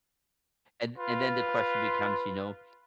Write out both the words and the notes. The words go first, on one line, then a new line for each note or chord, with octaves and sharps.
and and then the question becomes, you know,
F4 B4